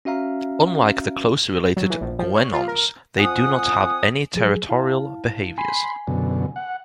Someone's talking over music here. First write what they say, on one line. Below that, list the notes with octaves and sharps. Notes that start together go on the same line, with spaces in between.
Unlike the closely related guenons, they do not have any territorial behaviors.
C#4 F#4 E5 F5 A#5
F#3
E3
A#1
F3
C#5
F4
A#4
F2 C4 F4 F#5 G#5 D#6
F3 F#3 G#4
E4 F5 A5
G#5 B5 C6
F#2 B2 D3
F#5